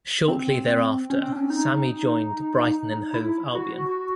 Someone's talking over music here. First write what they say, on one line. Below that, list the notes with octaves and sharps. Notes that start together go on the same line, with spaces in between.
Shortly thereafter Sammy joined Brighton and Hove Albion.
C4
C#4
C4
D4
C#4
D#4
E4
F#4